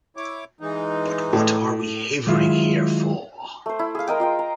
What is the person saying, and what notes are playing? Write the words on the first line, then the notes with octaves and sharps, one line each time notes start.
But what are we havering here for?
E4 C#5 D6
E3 G#3 D#4
A2
D#3 F#3 G#3 E4 F4
A3 C5
E4
G#4 F5
G#3 A#4 D#5 G5
F4 D#5 G5
A#5